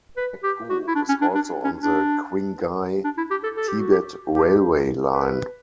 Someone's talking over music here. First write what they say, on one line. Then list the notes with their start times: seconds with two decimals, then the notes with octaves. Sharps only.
Nagqu is also on the Qinghai-Tibet railway line.
0.17 B4
0.43 G4
0.70 F#4
0.88 E4
0.96 D4
1.09 C#4
1.22 D4
1.35 D4
1.65 C#4
1.83 D4
3.05 D4
3.18 E4
3.31 G4
3.44 A4
3.57 A4
3.68 G4
3.80 F#4
3.92 G4
4.35 G4
5.13 B4